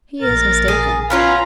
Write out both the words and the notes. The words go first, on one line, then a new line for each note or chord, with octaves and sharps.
He is mistaken.
A#1 A#4 A6
G#4
B3 C#4 F4 F5 A#5